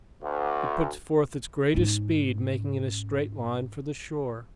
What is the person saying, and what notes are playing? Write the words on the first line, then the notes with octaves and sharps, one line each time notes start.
It puts forth its greatest speed, making in a straight line for the shore.
D2
G#2 C#4